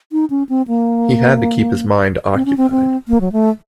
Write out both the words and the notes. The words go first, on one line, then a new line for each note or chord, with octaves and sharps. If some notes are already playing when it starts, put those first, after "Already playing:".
He had to keep his mind occupied.
D#4
C#4
C4
A#3
C4
C#4
C4
C4
A#3
F#3
A3